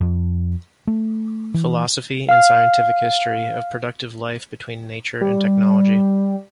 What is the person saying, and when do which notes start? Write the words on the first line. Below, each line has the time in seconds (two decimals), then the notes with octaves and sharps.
Philosophy and scientific History of productive Life between Nature and Technology.
0.01 F2
0.87 A3
1.54 E3
2.29 F5 F6
5.21 G3